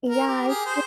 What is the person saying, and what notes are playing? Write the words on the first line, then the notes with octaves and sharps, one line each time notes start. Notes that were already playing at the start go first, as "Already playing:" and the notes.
Yeah, it's
A#4
G4
G#4
C5